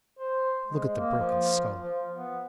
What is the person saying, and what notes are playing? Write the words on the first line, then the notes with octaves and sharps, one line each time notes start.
'Look at the broken scull.
C5
G#3
A#3
F3
F3
B3